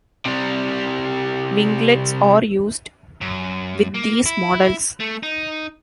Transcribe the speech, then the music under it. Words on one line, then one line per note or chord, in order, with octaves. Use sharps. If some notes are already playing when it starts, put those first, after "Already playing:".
Winglets are used with these models.
C3 G3
F#2
A#3
E4
A3
D#4